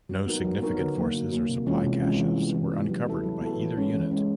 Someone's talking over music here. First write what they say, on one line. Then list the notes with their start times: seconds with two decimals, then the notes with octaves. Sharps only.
No significant forces or supply caches were uncovered by either unit.
0.09 F#3
0.27 B3 D#4 F#4 A#4
0.45 F#3
0.62 B3 D#4 F#4 A#4
0.80 D3
0.97 F#3 A#3
1.14 D3
1.32 F#3 A#3
1.49 C3
1.66 E3 G#3 C#4 F4
1.84 C3
2.02 E3 G#3 C#4 F4
2.19 E3
2.36 G3 B3
2.54 E3
2.72 G3 B3
2.89 F#3
3.06 B3 E4 A4
3.23 F#3
3.41 B3 E4 A4
3.59 E3
3.76 G#3 C#4
3.94 E3
4.11 G#3 C#4